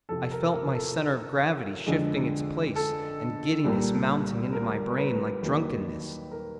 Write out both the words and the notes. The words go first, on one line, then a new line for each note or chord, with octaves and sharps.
I felt my centre of gravity shifting its place, and giddiness mounting into my brain like drunkenness.
F2 C3 F3 A4
A#4
A#4
A4
F2 D3 F3 G#3
A4
C2 A#2 G3 A#3
A#4
B4
D#2 D#3 F#3 A#3
A#4